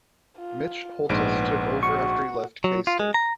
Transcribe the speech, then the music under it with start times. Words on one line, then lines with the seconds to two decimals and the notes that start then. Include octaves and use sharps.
Mitch Holthus took over after he left K-State.
0.38 F4
1.09 A#1 G#2 B3 D7
1.83 F#4 C#6
2.64 F#3
2.87 F4
3.00 G#3
3.14 A#5